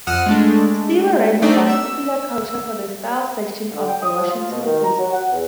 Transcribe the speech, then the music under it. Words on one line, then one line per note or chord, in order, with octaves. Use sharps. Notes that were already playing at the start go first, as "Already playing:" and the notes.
Stuever writes about popular culture for the "Style" section of the "Washington Post".
F2 F#5 D#6 F6 F#6 E7
G#3 A3 D4
A3 C4 D4 D#4 D5
E5 E6
D3
G5
D#6
F3
F4
B2
D#3
A#5
F#3
F#5
E2